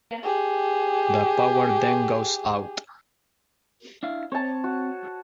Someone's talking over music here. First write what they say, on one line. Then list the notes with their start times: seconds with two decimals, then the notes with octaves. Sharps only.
The power then goes out.
0.23 G4 G#4
4.03 D4 E4 F5
4.32 C4 C#5 A5
4.64 F#4